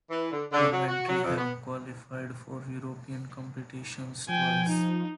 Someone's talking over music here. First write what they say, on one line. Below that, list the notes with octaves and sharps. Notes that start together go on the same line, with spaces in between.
Coventry have qualified for European competitions twice.
E3
D3
D3
F#3
F#4
F#3
F2
B3
F3 G5 G#5
D#4